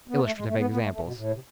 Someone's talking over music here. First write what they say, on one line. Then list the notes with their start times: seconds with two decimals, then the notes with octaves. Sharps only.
Illustrative examples.
0.09 B3
0.24 A3
0.36 G#3
0.47 A3
0.58 B3
0.70 B3
0.82 A3
0.93 A3
1.04 B2
1.16 A2
1.34 C3